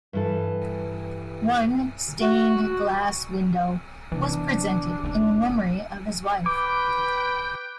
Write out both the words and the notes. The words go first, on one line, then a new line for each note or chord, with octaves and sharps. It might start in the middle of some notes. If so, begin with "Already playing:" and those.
One stained glass window was presented in memory of his wife.
G2 E3 A4
F#4
C3 E3 B3 D4
F1 C#4 E4
B4 G5 D6